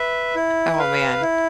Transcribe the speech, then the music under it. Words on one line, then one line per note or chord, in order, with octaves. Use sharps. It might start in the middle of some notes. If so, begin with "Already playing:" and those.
Oh, man,
Already playing: B4 E5
E4
B4 F5
E4